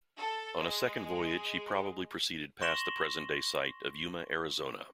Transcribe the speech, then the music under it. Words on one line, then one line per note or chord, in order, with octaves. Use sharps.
On a second voyage, he probably proceeded past the present-day site of Yuma, Arizona.
A4
G#3
C6 C#6 A#6 E7 F#7 G7